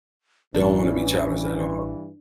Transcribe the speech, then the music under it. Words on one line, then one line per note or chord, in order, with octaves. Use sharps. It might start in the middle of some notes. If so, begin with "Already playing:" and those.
Don't wanna be challenged at all.
A1 G2 E3 C#4 D4